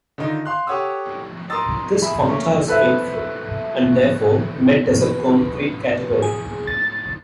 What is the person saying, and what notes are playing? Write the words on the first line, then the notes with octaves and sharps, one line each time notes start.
This functor is faithful, and therefore Met is a concrete category.
D3 D#3 D#4 F4
F5 C6 F#6
G4 A4 C#5 F#5 D#6 E6
A#4 A#5 C6 D#6 E6 A6
G#4 E5 B5
A3 A#3 C#4
A4 B4 C5 E5
B4
G#4
A6